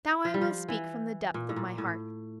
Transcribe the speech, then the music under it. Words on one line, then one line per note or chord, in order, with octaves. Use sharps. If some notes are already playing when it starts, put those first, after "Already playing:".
But now I will speak from the depth of my heart.
F3
G3
F3
E3
A#2
A2
A#2
A2